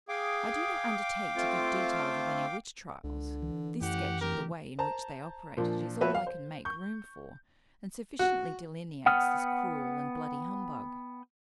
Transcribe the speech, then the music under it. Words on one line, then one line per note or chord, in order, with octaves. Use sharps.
I do not undertake to give details of any witch trials; this sketch of the way in which they operated is all I can make room for, and sufficiently delineates this cruel and bloody humbug.
G#4 F5 G5 D6
A3 C4 F4
C#2 D3
E3
F#2 A2 G4 F#5
D1 G4 A#4
C5 A5 A#5
A#2 F3 D4
F3 B3 F#4 B4 C#5 E5
F5
C5
C#6 G6
F#4
B3 F#5 G5 D#6 F6